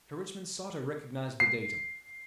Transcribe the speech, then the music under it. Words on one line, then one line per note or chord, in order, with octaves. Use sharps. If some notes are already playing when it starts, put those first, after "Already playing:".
Sir Richmond sought a recognizable datum.
C7